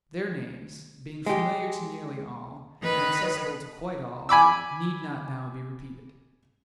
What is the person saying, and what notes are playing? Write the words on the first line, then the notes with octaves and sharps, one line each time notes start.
Their names, being familiar to nearly all, and accessible to quite all, need not now be repeated.
G#3 G4
D#3 B4
G#5 B5 D6 E6